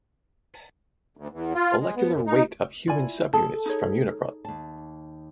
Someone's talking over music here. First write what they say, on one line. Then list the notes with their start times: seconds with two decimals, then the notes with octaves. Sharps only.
Molecular weight of human subunits from Uniprot.
1.17 D2
1.32 E2
1.55 F4
1.81 G#3
1.96 B3
2.11 F#2
2.27 D#4
2.88 E4 F4 D5 G#5
3.33 G#4 A4 A5
3.66 D#4 G#4 C#5
4.45 D#2 A5